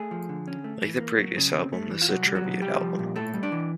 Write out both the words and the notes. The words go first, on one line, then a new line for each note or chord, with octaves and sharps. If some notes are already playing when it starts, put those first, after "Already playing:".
Like the previous album, this is a tribute album.
Already playing: A3 G#4
F3
D3
C#4
A3
E3
A#3
F#3
C#3
C4
A3
E3
F4
C2 F#3 F#4
G3
F#3 F#4
B2
C2 G3 G4
F3
A#2
A2 A3 A4
G3
D4 D5
E3